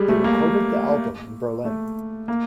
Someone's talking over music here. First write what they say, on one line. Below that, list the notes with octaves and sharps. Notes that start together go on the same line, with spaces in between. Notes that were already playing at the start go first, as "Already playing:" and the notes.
They recorded the album in Berlin.
Already playing: G3 G#3
A3
A#3
A3
A#3